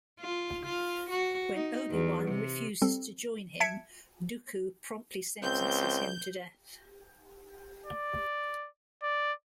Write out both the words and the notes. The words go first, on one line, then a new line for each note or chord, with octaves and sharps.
When Obi-Wan refuses to join him, Dooku promptly sentences him to death.
F4
F4
F#4
D#4
E2
C3
G3 C4 A4
E5 A5 G#6 B6 C#7 D7
C#2 C4 G6
D5
D5